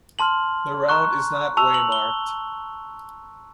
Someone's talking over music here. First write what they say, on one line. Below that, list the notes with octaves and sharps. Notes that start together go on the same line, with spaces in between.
The route is not waymarked.
A5 C6 F6 F#7
A#5 C#6 F#6
A5 C#6 E6 F7
F#7
G7